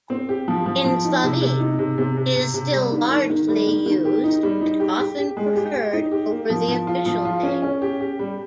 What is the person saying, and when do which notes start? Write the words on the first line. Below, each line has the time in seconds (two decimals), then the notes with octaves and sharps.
In Slovene it is still largely used and often preferred over the official name.
0.10 C4
0.29 G4
0.48 F3
0.66 F3
0.85 F3
1.04 D#4
1.23 C3
1.41 C3
1.60 D#4
1.79 C3
1.98 C3
2.17 C3
2.36 C3
2.54 C3
2.73 G3
2.92 D#3
3.10 D#3
3.30 D#3
3.48 G3
3.67 D#3
3.86 D#3
4.05 G4
4.24 D#4
4.43 G3
4.61 D#4
4.80 G4
4.99 G4
5.18 G4
5.37 G#3
5.56 G4
5.74 G4
5.93 D#4
6.12 G4
6.31 A#3
6.50 F3
6.68 F3
6.87 F4
7.06 F3
7.25 F4
7.43 C#4
7.62 C#4
7.82 G4
8.00 G4
8.19 G3